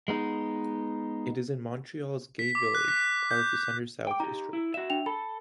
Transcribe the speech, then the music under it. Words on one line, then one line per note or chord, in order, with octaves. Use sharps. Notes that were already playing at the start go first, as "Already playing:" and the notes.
It is in Montreal's Gay Village, part of the Centre-South district.
G#3 B3 D#4
B6
D6
F#6
B6
G6
G5 D6 D7
D#4 G4 A#5
E4
F#4 E5 E7
D4 G5 F7
A4 B5